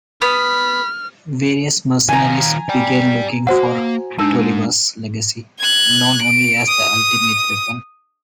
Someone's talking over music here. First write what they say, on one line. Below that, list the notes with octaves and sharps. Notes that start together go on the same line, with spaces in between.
Various mercenaries began looking for Tolliver's legacy, known only as the ultimate weapon.
B3 B5 F6
D#3 F4 G#5 A#5
D5 G5
A#3 F#4 C5 F#5
G#3 D4 D#4 A#4 A5
F#6 G#6
D7
D#6